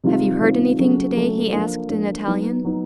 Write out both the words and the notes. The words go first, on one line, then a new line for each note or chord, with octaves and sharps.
"Have you heard anything to-day?" he asked in Italian.
C3 D#3 G3 C4 F4
C3 D#3 G3 C4 F4
C#3 F#3 A3 C#4 F#4
C#3 F#3 A3 C#4 F#4
F3 A#3 D4
F3 A#3 D4
F#3 B3 D#4
F#3 B3 D#4